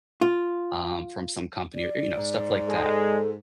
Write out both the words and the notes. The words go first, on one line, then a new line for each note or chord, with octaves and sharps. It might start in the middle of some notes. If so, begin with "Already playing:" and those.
um, from some company or, y you know, stuff like that.
F4
D5
G#2
G#3 A4